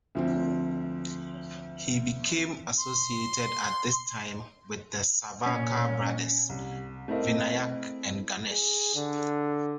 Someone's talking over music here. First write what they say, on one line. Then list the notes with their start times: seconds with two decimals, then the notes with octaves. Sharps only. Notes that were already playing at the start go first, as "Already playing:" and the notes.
He became associated at this time with the Savarkar brothers, Vinayak and Ganesh.
0.15 D2 F3 C4
2.79 C6
5.46 A#2 C#4
6.49 C2
7.08 A3 C4 E4 A#4 D#5 F5
8.49 G#4
8.95 D3